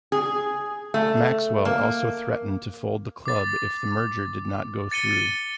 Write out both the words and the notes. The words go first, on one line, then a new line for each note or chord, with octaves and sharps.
Maxwell also threatened to fold the club if the merger did not go through.
G#4
A3
A#3
D6 A6
A6 C#7 D#7 G7